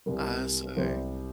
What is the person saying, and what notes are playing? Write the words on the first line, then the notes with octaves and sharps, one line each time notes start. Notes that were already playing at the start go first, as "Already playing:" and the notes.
I see.
C2 C3 G3 A#4
C2 C3 G3 C5